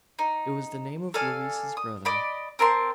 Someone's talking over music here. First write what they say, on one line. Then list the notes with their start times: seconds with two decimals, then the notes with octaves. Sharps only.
It was the name of Louise's brother.
0.19 D#4
1.14 A4 D5 F5 G#5
1.77 D#6
2.05 D5 D#5 B5
2.59 C4 A#4 A5 C6